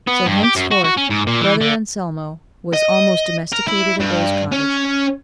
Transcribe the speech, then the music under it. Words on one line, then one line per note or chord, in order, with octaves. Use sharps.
So henceforward "Brother Anselmo" was almost domesticated at Rose Cottage.
B3
G2
G4
F#2
F#4
F#4
C#4
G#2
A#2
E3
D3
D#5
A#4
E4
G2
C#4